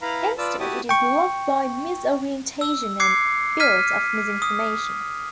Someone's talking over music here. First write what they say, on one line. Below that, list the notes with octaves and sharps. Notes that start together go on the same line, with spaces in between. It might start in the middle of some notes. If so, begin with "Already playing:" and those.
Instead, it is locked by misorientation and built of misinformation.
E4 B4 F5 A#5 B5
F4 B4 D5 A5 E6
E4 F#4 G4 A5 D#6
G5 C#6
E6
D6 F#6 G#6 C7 C#7
F6 G#6 B6 D#7
D#6